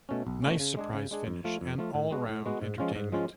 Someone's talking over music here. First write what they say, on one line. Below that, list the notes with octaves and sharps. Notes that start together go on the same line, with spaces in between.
Nice surprise finish and all-round entertainment.
B2 A3 C#4
B1
B2 A3 C#4
C#3
G#3 D4 G#4
C#3
G#3 D4 G#4
F2
F3 A3 F4
F2
F3 A3 F4
A2
G#3 B3 F#4
A2
G#3 B3 F#4
G#2
F3 G#3 C#4 F4
G#2
F3 G#3 C#4 F4